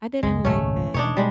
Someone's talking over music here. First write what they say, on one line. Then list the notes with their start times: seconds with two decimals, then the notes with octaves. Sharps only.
I didn't like that.
0.23 F#1 C#2 G#3
0.45 D#1 G#1 C#2 A3 C#4
0.94 E1 D4 D#4 C#5
1.17 B2 G3 G#3 D4